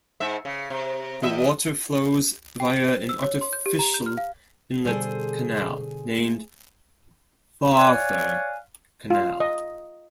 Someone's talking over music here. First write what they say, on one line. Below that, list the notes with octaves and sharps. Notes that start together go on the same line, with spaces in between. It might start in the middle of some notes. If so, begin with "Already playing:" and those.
The water flows via an artificial inlet canal, named Tharthar Canal.
G#2 E5
C#3
C3
E2 D#5 E5
G5
C#7
C5
E6
C#5
C6
G6
G4
A#5
G6
F6
F5
B2 D3 G3 G#4 A4 C5
A3
C#5 D5 F5 F#5 G#5
F4
D#5